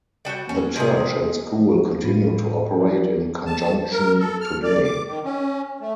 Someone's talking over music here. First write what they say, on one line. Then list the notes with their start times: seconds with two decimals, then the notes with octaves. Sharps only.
The church and school continue to operate in conjunction today.
0.25 G3 F#4 C#5 G5
0.49 C#4 F#4
0.76 C3 G#3 C4 G#4
1.30 D#5
1.59 F3
2.03 A2 F4 B5 D#7
2.77 F3 E4 B4 D5
3.46 A5
3.92 A#4
4.20 A4
4.41 F6
4.64 D5
4.84 D6
5.07 D#3
5.24 C#4
5.80 A3